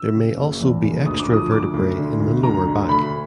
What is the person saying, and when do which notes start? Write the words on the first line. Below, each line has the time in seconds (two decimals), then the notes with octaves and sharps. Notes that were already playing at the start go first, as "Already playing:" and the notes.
There may also be extra vertebrae in the lower back.
Already playing: E6
0.15 C#3
0.38 F#1
0.61 E2
0.84 F#1
1.06 D2 D#6
1.20 D6
1.29 F3 D#6
1.52 D2 D6
1.74 D2
1.98 D3
2.20 D2
2.43 D2 A#5
2.67 D3
2.89 D2 B5